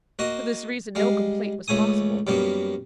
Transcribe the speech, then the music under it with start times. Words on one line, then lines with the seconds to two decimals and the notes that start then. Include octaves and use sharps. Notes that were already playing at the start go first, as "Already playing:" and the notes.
For this reason no complaint was possible.
0.19 A#3 F#4 D#5
0.95 G3 G#3 F5
1.68 C#2 C#3 A3 G#5 D#6
2.27 F#2 G3 A#3 B3